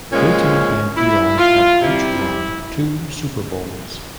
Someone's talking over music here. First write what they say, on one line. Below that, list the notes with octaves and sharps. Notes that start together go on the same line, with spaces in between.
Peyton and Eli have each won two Super Bowls.
A#2 F3 G#3 C#4
E4
F4
C3 G3 E4